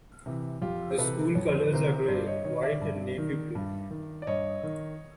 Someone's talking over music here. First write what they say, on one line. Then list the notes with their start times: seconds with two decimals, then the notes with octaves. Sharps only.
The school colors are gray, white, and navy blue.
0.26 C3 E3
0.62 F2 F4 G4
0.90 C5
0.98 C3 E3 A4 B4
1.34 F2 C#5
1.49 C5
1.61 B4
1.72 C3 E3 A#4 C5
2.08 G2 C5 D5
2.26 C#5 D#5
2.44 D#3 C#5 D#5
2.63 D5 E5
2.81 G2
3.18 D#3
3.55 G2
3.91 D#3
4.22 D5
4.27 G2 C#5 D#5
4.63 D#3